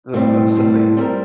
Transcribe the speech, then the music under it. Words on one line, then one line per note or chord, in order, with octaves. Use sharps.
Ugh, that's definitely
A2 G3 C4
A2 G3 C4
G3 C4 G4 A#4